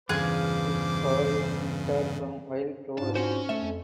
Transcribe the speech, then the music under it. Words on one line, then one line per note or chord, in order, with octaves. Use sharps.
Its power is nectar from wild flowers.
E2 G2 C#3 F4 G#4 C5 D6 F#6
G#2 D4 F4 A5
C4 C#4 F#4 C5
A3 E5
F2